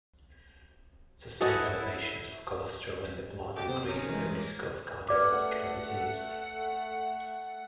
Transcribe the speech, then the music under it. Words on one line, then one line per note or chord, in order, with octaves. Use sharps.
Sustained elevations of cholesterol in the blood increase the risk of cardiovascular disease.
E4 F#4 G#4 A4 B4 C#5 D#5 F#5
F#4 G4 A4 D#5 G5
C3 B3 C5
D#3 C#4 A#4
E3 G3 G#3
A#3
A3 B4 D5 F#5 D6